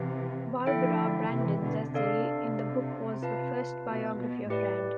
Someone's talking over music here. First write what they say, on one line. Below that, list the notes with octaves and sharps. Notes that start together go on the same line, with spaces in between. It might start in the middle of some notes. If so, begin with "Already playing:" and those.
Barbara Branden's essay in the book was the first biography of Rand.
Already playing: C3 E3 G4 B4 F5
D3 F3 E4 A4 E5 G5
C3 E3
B2 D3
C3 D4 A4 D5 F5
F4 B4 F5 A5
B2
B2
A2 G4 B4 D5